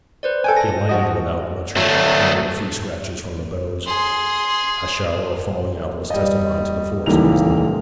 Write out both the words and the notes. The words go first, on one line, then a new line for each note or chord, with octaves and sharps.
He alighted without much hurt beyond a few scratches from the boughs, a shower of falling apples testifying to the force of his leap.
B4 C5 D5
A4 G5 G#5
A#6
F3 F#4 D#5
F#3 A3
G#4 C6
G3 D#5
D#1 C#2 E3 A#3 D#4 F7